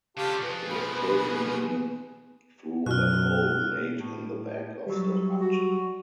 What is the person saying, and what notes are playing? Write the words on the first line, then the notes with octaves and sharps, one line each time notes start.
It was taken in through a hole made in the back of the hut.
C#3 D4 F4 G4 A4
F2 F3 G#4 B4
B2 F3 B5
F#2 B2 F6 F#6
A2
F#3 G3
F#4